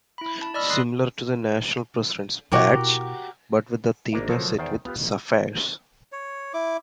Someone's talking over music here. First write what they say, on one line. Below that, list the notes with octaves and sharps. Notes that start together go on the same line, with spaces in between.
Similar to the National President's Badge, but with the Theta set with sapphires.
E4 B5
A5
D5 D#5 B5 E6 F6
B5 C6 D#6 F#6 C7
B2 E4 F#4 G4 A#4
G#1 A#3 D4 A#4 D#5 E5
F3 F#3 A4 A#4 C5 C#5
E2 D#3 C5 D5 G5
B3 F4 G4 B4
C#5
E4 D6